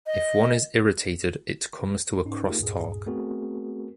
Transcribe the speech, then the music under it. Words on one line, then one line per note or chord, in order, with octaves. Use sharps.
If one is irritated, it comes to a crosstalk.
D#5
G#2 C#4 D#4
A3 D#4 F4 G4 G#4 A#4
D2 G2 A#2 G#4
A3 B3 C4 F#4 G#4 A#4